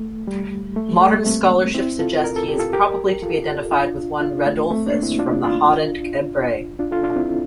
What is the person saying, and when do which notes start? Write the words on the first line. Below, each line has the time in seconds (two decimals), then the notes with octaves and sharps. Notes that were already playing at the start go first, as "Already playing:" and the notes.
Modern scholarship suggest he is probably to be identified with one Radulfus from Hodenc-en-Bray.
Already playing: A3
0.27 G3
0.76 A3
0.89 G3
1.01 A3
1.13 G3 A#3
1.26 A3 C4
1.74 C4 E4
1.99 F4 A4
2.24 A#4
2.36 A4
2.48 G4
2.59 F4 A4
2.73 G4 A#4
3.22 F4 A4
3.71 D4 F4
4.20 D4 F4
4.46 A3
4.70 A3 C4
4.86 A#3 D4
5.03 C4 E4
5.19 D4 F4
5.44 D4 F4
6.79 D4 F4
6.91 F4 A4
7.03 D4 F4
7.16 C4 E4